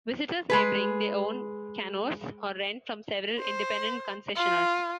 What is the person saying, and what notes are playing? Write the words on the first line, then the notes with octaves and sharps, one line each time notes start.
Visitors may bring their own canoes or rent from several independent concessioners.
G#3 G#4 B4
C5
F4